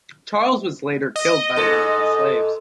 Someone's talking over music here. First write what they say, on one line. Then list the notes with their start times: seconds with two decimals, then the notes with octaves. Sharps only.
Charles was later killed by one of his slaves.
1.16 D#5
1.56 G#2 A4